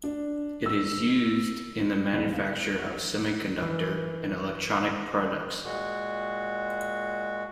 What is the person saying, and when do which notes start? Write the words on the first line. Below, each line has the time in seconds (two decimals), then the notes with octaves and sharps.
It is used in the manufacture of semiconductor and electronic products.
0.04 D4
0.66 E6
2.13 D#1 B1 E2 G#2 D3 B6
2.32 F5
2.52 C5
2.77 E4 C#5 F#5 C#6
3.62 E3
5.65 A#2 G#3 F#4